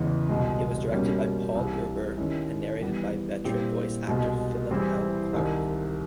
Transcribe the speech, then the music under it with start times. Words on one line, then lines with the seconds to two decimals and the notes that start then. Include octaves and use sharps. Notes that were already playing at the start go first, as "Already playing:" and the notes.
It was directed by Paul Gerber and narrated by veteran voice-actor Philip L. Clarke.
Already playing: E2 C#3 E3 G#3
0.29 C2 B2 G#3
0.92 B2 G3 A#3 C#4
1.55 C2 C3 E3
2.18 D#3 G#3 C#4 E4 G4
2.81 E3 G3 B3
3.44 A#2 G3 C4 E4 G4
4.07 C2 B2 G#3
4.71 E3 G3 C4 E4 G#4
5.33 C2 C3 D#3 G#3